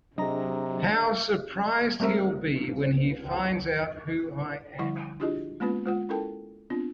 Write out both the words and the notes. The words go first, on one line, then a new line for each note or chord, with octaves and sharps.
How surprised he’ll be when he finds out who I am!
C3 F#3 D4 G#4 D#5 A#5
G3 A3 C4 A#4 E5
D3 F3 G3 E4 F#5 C#6
D4 E4 F4 G4 G#4 D#5
G#3 A#3 B3 C#4 F4 B4
G#3 F4 F#5
C#4 E4 A4 A#4 G5 A5
B3 C4 D4 F4